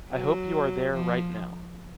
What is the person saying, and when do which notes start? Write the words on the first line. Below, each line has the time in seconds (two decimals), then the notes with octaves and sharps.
I hope you are there right now.
0.12 F#3
0.92 F3